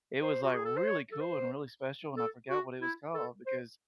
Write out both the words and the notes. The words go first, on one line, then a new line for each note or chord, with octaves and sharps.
it was, like, really cool and really special, and I forgot what it was called, because
C5
F#4
G#4
A4
C5
C#5
A4
C5
A4
F#4
E4
A4
C5